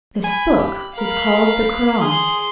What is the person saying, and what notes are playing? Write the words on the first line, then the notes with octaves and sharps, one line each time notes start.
This book was called the Koran.
G#5 B5
G4
A#4 F5 B5
G#4 C6